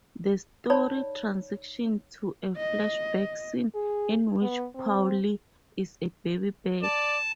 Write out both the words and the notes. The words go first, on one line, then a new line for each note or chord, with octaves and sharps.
The story transitions to a flashback scene in which Paulie is a baby bird.
D#4 C#5 D5 B5
D#5
G#4
B3
C4
D5 A5